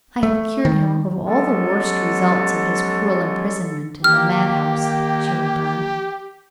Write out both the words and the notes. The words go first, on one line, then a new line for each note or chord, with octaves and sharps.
"I have cured him of all the worst results of his cruel imprisonment in the mad-house," she went on.
A3
D#3
F#3 G#3 B3 C#4 G4 A4
D#3 A#3 G4 F6